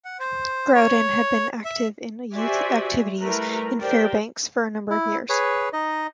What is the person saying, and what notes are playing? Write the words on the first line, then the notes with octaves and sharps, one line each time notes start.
Growden had been active in youth activities in Fairbanks for a number of years.
F#5
C5
C#5
E5
F#4 G4 C5 D5 E5 G#5
G3 A3 E4 A#4 B4 A#5
G4 A#4 C5 D5 G5
E4
G#4 B4 C#5
D#4 D#5